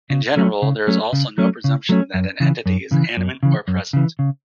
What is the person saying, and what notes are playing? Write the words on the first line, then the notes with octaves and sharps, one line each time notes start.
In general, there is also no presumption that an entity is animate, or present.
C#3
F#3 A3 C#4
C#3
F#3 A3 C#4
C#3
F#3 A3 C#4
C#3
F#3 A3 C#4
F#2
C#3 E3
F#2
C#3 E3
F#2
C#3 E3
F#2
C#3 E3
C#3